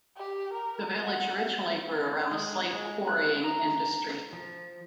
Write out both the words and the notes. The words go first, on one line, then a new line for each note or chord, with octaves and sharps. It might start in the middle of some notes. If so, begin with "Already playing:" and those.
The village originally grew around the slate quarrying industry.
G4
A#4
F#5
G#3
G#3
F#6
A#5
F3